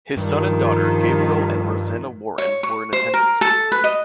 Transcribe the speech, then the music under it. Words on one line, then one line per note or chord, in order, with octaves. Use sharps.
His son and daughter, Gabriel and Rosanna Warren, were in attendance.
G2 D#3 F3
C#5
C#6
C5
A#4
A4
B4
D#5